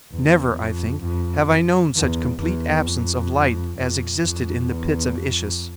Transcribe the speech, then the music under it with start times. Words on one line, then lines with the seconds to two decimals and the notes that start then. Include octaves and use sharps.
Never, I think, have I known such complete absence of light as existed in the pits of Issus.
0.11 E2
0.57 F2
1.03 F2
1.95 E2
2.40 E2
2.86 F2
3.78 F2
4.24 F2
4.69 E2
5.15 F2